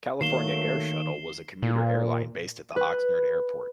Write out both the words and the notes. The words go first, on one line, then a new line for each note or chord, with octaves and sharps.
California Air Shuttle was a commuter airline based at the Oxnard Airport.
D#3 F#3 A3 A#3 C7 E7 G7
A#2
B4 D#7